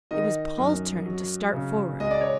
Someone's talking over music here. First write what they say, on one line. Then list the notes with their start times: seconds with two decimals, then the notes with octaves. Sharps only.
It was Paul's turn to start forward.
0.11 D#3 D#5
0.58 F#2
1.06 F#3
1.53 C#3
2.00 G#3 D#5
2.11 D5
2.21 C#5